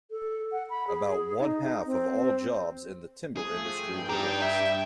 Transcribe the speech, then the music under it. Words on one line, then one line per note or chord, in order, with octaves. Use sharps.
About one-half of all jobs in the timber industry were lost.
A4
F#5
B5
G#4
D#4
C4
F3 A3 G#4
G2 G5
D4 D#4 G4
E5